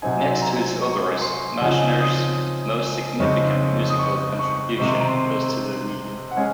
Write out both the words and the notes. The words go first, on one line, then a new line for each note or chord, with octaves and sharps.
Next to his operas, Marschner's most significant musical contribution is to the Lied.
C3 F#3 C4 D#4 G#5
A#5
C#6
C6
C#3 F3 C4 D#4 G#5
D#6
F2 C#3 G#3 C4 D#4 C#6
D#6
C#6
C#6
C3 D#3 G#3 C4 D#4 C#6
C6
A#5
C6
F#5
G#3 C#4 G#5